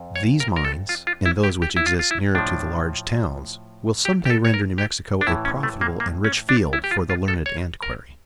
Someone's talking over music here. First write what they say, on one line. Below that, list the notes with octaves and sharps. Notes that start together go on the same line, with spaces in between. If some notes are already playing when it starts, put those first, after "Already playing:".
These mines, and those which exist nearer to the large towns, will some day render New Mexico a profitable and rich field for the learned antiquary.
Already playing: F2
C#5
A#4
A#4
A4
F4
F4
E4
G4
G4
E4
F4
F4
E4
A2 F3 D4
G4
G4
A4
C#5
A#4
G4
D4
A2 E3 E4
C#4
A3
A#3
A#3
C#4
D4
E4
G4
F4
F4
A4
C#5
A#4